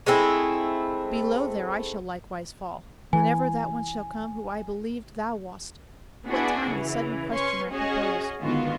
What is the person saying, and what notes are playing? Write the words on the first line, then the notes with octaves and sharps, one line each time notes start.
Below there I shall likewise fall, whenever That one shall come who I believed thou wast, What time the sudden question I proposed.
G#3 A3 C4 E4
E3 G#5
B3 D4 E4 F#4 G#4
C#3 E3
C#4 B4 C6 C#6
C#4 F#4 G#4 D#5
G#2 D3 D#3 B3 F4 F#4